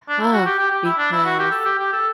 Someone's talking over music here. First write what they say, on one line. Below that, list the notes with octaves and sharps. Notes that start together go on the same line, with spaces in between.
tough because
D4
E4
F#4
G4
G4
G4
E4
D4
E4
F#4
G4
A4
G4
G4
A4